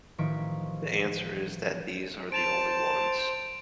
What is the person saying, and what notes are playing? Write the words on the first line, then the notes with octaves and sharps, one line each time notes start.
The answer is that these are the only ones.
A1 D#3 F3 C#6 B6 D7
C5 A5 D7 E7 F7